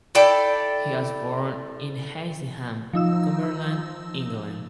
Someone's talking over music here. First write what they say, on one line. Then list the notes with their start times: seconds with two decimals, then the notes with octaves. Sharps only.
He was born in Hensingham, Cumberland, England.
0.15 E4 A4 D5 G5
2.93 F3 D#4 E6